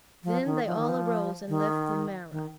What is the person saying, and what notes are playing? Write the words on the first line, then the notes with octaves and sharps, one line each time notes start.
Then they all arose and left the marah.
F3
D#3
F3
D#3
F3
D#3
D#3